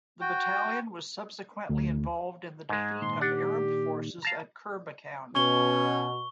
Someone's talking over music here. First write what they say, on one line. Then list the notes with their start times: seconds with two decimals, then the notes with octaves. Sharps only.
The battalion was subsequently involved in the defeat of Arab forces at Kirbekan.
0.21 F#4 G5
1.69 D2
2.69 G#2 G#3
3.02 A#2 D#3 C6
3.21 D4 G4 F#5
4.22 F5 A5 A#5
5.35 B2 C#4 C#6 G7